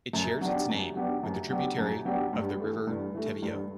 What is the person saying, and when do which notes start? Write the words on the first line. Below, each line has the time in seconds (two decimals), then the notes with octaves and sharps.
It shares its name with a tributary of the River Teviot.
0.13 F#2
0.41 F#3 B3 D4 G4
0.69 F#2
0.96 F#3 B3 D4 G4
1.23 F#2
1.50 F#3 B3 D4 G4
1.78 F#2
2.05 F#3 B3 D4 G4
2.33 G2
2.60 E3 A3
2.87 G2
3.14 E3 A3
3.43 G2